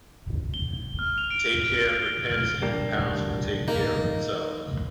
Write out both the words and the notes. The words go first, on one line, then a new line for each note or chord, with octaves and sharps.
Take care of the pence and the pounds will take care of themselves.
G7
F6
F7
D7
D7
G7
F6
G3 A#3 D4
A#3 D#4